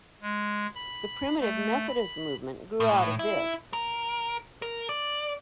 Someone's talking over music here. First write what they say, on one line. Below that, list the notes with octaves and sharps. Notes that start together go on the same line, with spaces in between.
The Primitive Methodist movement grew out of this..
G#3
B5
A3
B5
A2
E4
A#4
A#4
D5